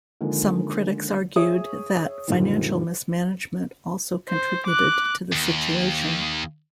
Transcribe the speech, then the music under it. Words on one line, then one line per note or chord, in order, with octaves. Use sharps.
Some critics argued that financial mismanagement also contributed to the situation.
D3 D#3 F3 G#3 A#3
G#4 C#5 E5 D#6
F#2 A#2 D3 D#3 G3 C4
C5
D6 F#6
D#2